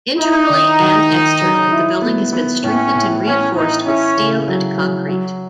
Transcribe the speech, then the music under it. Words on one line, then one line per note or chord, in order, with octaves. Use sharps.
Internally and externally the building has been strengthened with reinforced steel and concrete.
D#4 E4
D#3
D#3
D#3
F#3
E4
B3
B3
A2 C#4
A2
E3 C#4
E3 D#4
C#4 E4
C#3
F#3
F#3
F#3